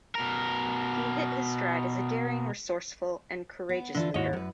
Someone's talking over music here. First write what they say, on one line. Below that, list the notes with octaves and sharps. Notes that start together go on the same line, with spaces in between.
He hit his stride as a daring, resourceful and courageous leader.
B2 A#4
B3
D3 E3 D4 F4
D#2 G#2 E4 F#4 C#5 D#5
F#2 A#4 B4